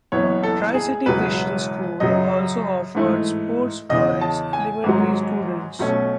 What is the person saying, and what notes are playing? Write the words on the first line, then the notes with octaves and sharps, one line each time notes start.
Tri-City Christian School also offers sports for its elementary students.
F#1 F#2 E3 B3 C#5
A4
G#4
E1 E2 C#3 F#3 B4
F#2 C#3 F#3 D#5
G#2 E3 A3 D#4
E2 C#3 E3 D#5
A5
G#5
G#1 G#2 F#3
B1 B2 A3 C#4